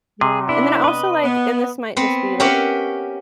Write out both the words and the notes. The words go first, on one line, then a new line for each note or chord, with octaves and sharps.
Yeah. And then I also, like, and this might just be, like,
C3 G#4
B3 D4 E4
B4 D#5
B3
B3 C4
C#4 G4 A#4 E5 F#5